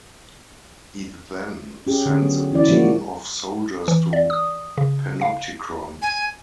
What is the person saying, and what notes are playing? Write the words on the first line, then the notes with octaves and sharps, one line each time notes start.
He then sends a team of soldiers to Panoptichron.
C#4 G4 G#4
D3 C#4
F#3 B3
E3 C#4 E4 D5
F3 G#3 A#3 F#4
E3
D5
D#6
C#3
F5
G#5